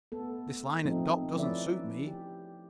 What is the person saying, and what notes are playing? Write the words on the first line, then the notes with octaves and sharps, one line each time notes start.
This lying at dock doesn't suit me.
A3 B3 A4
F3 A3 C4 D#4
F3 C#4 E4 B4 D5 E5
G4